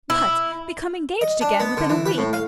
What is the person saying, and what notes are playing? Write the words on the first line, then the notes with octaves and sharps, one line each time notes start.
"What; become engaged again within a week!"
E4
D#5
D4
B3
D3
E3
B4
A2
F5